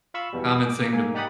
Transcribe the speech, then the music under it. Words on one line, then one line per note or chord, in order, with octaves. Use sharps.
common thing to
F4 F5 B5 C#6 E6
E2 B2 G3
D#6
D6
G#2 A#3 G#5
D#4 G4 D5 F#5 B5 D#6